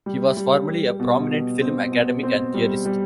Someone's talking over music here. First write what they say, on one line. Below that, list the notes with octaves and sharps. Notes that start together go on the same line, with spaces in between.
He was formerly a prominent film academic and theorist.
G3
G3
G3
B2
B2
C4
B2
C4
G3
G3